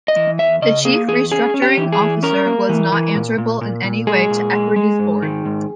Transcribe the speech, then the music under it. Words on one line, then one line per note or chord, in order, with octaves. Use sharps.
The chief restructuring officer was not answerable in any way to Equity's board.
D#5
E3
E2 E5
C#3 D#5
A#3 G#4
E2 G#4
C#4 G#4
C#4
G4
E3
G#4
E3
C#4 A#4
A#3
E3
E3
A#2
A#2
A#2
A#2
G#3 G#4
A#2
G#3
G#3
G#2
D#3
G#2